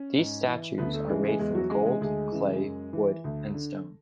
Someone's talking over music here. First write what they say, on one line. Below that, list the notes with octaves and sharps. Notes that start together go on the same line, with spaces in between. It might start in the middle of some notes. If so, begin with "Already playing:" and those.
These statues are made from gold, clay, wood and stone.
Already playing: C#4
G#2
E3
D2 B3 B4
A3 A4
C#3 E3 G#3 G#4
G#3 G#4
E2 G#3 G#4
F#3 F#4
C#3 E3 G#3 G#4
G#3 G#4
D2 G#3 G#4
C#3 E3
F#2
E3
D2
D3